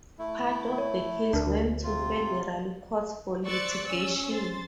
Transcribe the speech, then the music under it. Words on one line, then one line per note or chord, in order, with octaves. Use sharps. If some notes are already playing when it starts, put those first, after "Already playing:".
Part of the case went to federal courts for litigation.
A3 E4
C#5
D2 D4 A#4
C3 F4
C5 D5 C#6 E6 F#6 A6
C#4 E6
C5 A6